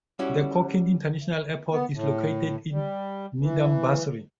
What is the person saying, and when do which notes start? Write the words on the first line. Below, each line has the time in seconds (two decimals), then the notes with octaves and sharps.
The Cochin International Airport is located in Nedumbassery.
0.19 G3 C#4 E4 F#4
1.71 B3
1.93 A2
2.71 G3
3.41 E3